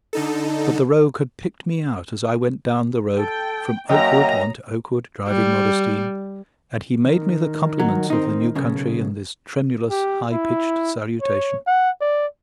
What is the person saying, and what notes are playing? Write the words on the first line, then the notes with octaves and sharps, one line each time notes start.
But the rogue had picked me out as I went down the road, from oak wood on to oak wood, driving Modestine; and he made me the compliments of the new country in this tremulous high-pitched salutation.
D3 D#4 A4
A4 G5
F#2 A#3 D#5 G5 A#5
G3
D#3
F#3
C4 D#4
B1 C#3
G4
E4
C#5
F#5
D5